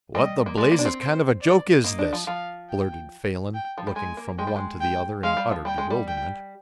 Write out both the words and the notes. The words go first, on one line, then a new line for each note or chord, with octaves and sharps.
"What the blazes kind of a joke is this?" blurted Phelan, looking from one to the other in utter bewilderment.
G3 D#5
A#3
G#3 D5
A#3
D4
C4
C5
D5
A#3 D#5
D4
F3
F3 F5
G5
G5
F3
G3
G#3 G#5
A#3
G#3 G5
G3
G#3
G5
G#3 F5
G3
F3
G3 G5
G#3
G3
G5